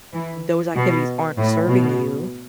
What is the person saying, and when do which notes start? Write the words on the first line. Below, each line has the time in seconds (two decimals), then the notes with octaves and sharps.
th those activities aren't serving you,
0.12 E3
0.75 B2
1.37 A2
1.68 B2